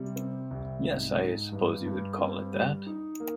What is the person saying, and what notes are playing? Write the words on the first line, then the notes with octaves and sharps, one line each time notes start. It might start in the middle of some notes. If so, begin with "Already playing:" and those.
Yes, I suppose you could call it that.
Already playing: C3 G3
C4
C2
G#2
G#2
G2
G2
C4
G3
D#4
A#3